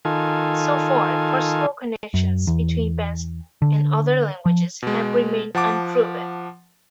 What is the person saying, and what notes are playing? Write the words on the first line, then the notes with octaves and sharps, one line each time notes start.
So far, possible connections between Basque and other languages have remained unproven.
D#3 F4 A4 G#5
F#2
E2
D3
F3
B2 G#3
F3 F#5 A5 D6